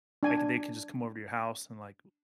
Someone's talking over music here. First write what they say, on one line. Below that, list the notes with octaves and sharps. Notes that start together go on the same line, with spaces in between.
like, they could, just, come over to your house and, like, l
D4 G#5